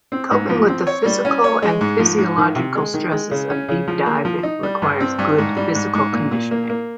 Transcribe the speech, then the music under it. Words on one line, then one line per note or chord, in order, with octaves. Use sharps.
Coping with the physical and physiological stresses of deep diving requires good physical conditioning.
C4
G#2
F3
C4
C#5
G3
C#4
C#5
G#3
G#2
F3
G#2
D#3
C3
G#3
D#3
G#3
C#3
C#4
C#3
F3
A#3
F3
D#4
G3
G2
C4
G2
G#2
G3
G#2
G#2
A#2
A#2
A#3
A#3